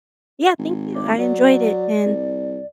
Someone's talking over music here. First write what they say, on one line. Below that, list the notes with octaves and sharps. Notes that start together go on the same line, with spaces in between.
Yeah, thank you, I enjoyed it, and
G#1
D6
F#3 D5
C2